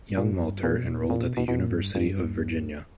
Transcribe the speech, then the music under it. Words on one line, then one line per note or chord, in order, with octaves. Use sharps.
Young Walter enrolled at the University of Virginia.
A#2
F#2
G2
A#2
B2
A#2
A#2
B2
B2
B2
A#2
G2
G2